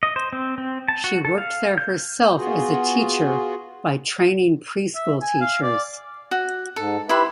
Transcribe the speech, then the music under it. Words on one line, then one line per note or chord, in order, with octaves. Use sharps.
She worked there herself as a teacher by training pre-school teachers.
D#5
C5
C4
C4
A5
F#4
A4
F5
G6
B3 F4 F#4 G#4
E5
G#5
F5
D5
F#4
G#2 A4
E4 G4 B4 C5 E5 B5